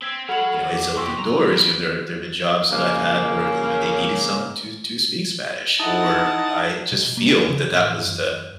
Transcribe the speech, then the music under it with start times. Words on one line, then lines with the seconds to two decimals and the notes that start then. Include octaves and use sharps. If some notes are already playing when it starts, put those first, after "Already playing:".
you know, it's opened doors. You know, there there have been jobs that I've had where the, you know, they needed someone to to speak Spanish. Or I just feel that that was the
0.02 C4 E6 G#6 B6
0.29 F#3 A4 C#5 F#5 B5 F6 F#7
0.71 F2 D6
0.97 F2 E3 G4 C6 C#6 E6
1.19 F#3 A#5
1.49 E2 E3
2.71 C#3 A#3
5.79 D#4 E4 F#5 A5
6.92 B2
7.17 A#3
7.48 C#3
7.72 A1
8.05 F#2